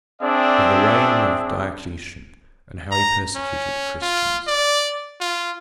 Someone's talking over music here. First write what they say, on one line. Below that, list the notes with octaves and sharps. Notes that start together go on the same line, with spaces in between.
Of the reign of Diocletian, and how he persecuted the Christians.
C4 D4 G#4 D5 E5
A#5
C#4
F4
D5
F4